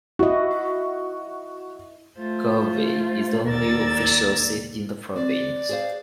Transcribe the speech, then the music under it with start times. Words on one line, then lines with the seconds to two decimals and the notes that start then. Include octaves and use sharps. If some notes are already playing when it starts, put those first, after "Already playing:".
Galway is the only official city in the province.
0.19 E4 F#4 D#5
2.19 A3 F4 C5
3.49 D#2 A#4 D5 E6 G#6 A6
5.16 C4 D5
5.69 G#4 C5 F5